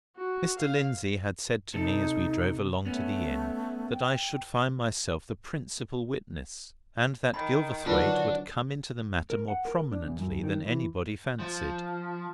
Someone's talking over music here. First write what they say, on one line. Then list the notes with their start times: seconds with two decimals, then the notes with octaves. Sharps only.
Mr. Lindsey had said to me as we drove along to the inn that I should find myself the principal witness, and that Gilverthwaite would come into the matter more prominently than anybody fancied.
0.17 F#4
0.59 F5
1.74 C3 D#4 A4
2.85 A3 B3 C#4
3.92 G5
7.34 D#3 B5
7.86 D3 D#3 F#3 D4 F4 F#4 B4
9.30 A#4
9.48 F#5
9.65 A#4
9.92 D4
10.06 E2
10.19 F#2
10.44 D#3
10.66 E3
11.40 F3